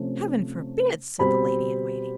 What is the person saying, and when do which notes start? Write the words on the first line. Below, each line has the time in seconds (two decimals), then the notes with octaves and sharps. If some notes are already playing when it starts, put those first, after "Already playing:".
'Heaven forbid!' said the lady-in-waiting.
Already playing: C3 F3 A3 C#4
1.19 B2 G3 C4 B5